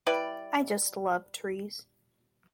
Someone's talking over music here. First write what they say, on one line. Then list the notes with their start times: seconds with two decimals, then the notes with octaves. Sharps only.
I just love trees.
0.07 G3 E4 B4 D5